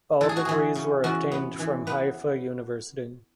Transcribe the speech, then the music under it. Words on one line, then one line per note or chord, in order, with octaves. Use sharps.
All degrees were obtained from Haifa University.
E3 A4
G#4
F#4
E3 G#4
C#3
E2 F#4
B3
E3
B3 B4